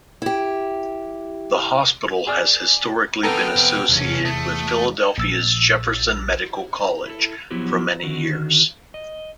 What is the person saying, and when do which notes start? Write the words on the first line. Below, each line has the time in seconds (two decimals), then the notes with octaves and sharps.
The hospital has historically been associated with Philadelphia's Jefferson Medical College for many years.
0.22 E4 G4
2.27 G#4 D5
3.23 D3 B3 D#4 A4 G5 A#5 F6
3.56 F2 C3
3.89 F1 B1 E2 C#4
4.25 E2 A3 D#6
5.18 A#1 E6 A6
7.06 E4 A4
7.51 F3 F#3 B3 E4 F#4 G4
8.03 D3 D#3 F#4
8.94 D#5